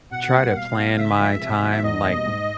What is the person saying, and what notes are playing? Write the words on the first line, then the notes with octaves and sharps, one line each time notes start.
try to plan my time, like,
B2 F#5
G3 A#3
B2 F5
G3 B3
C#3 E5
F3 G#3
C3
D#3 F#3 B3 E4
E5
E2 D#5
B2 G3 A#3 D4
G#2